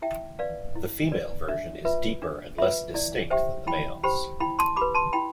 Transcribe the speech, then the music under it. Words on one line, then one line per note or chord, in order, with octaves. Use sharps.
The female version is deeper and less distinct than the male's.
E4 E5 G5
B4 D5 F5
E4
B4 D5
D4 E5
F4 B4 E5
D4
F4 B4 E5
E4 D5
G4 C5 E5 G5
E4 G5 B5
G4 C5 G5 B5
E4 G5 B5
A5 C6
G4 B4 B5 D6
A5 C6
E4 G5 B5